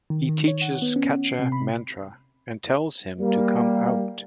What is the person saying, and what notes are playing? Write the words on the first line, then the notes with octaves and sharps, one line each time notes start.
He teaches Kacha Mantra and tells him to come out.
D#3
D#3
C#5
F#5
B3
C#4
C7
C3
B5
G3 A#3